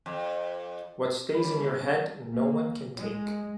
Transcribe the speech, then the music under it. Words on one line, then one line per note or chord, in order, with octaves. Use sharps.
What stays in your head no one can take.
F2
G3 G4 C#5 B5
A#2 C#3 G#3 E4 B4 C#5
D2 C3 C#4
F#4 C#5 F#5
A#3
G#3